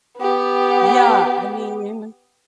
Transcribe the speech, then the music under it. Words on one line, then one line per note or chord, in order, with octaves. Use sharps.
Yeah, I mean
B3 G4